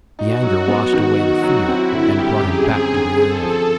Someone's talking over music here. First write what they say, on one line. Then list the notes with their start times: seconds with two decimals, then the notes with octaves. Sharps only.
The anger washed away the fear and brought him back to reality.
0.18 D#4 F#4
0.43 F#3
0.68 B3
0.93 D#3
1.18 D#4
1.43 F#3
1.68 C4 E4
1.92 D3
2.05 G4
2.17 G3
2.43 F#2 G#4
2.68 C4
2.92 D3
3.18 C4 A4
3.43 F3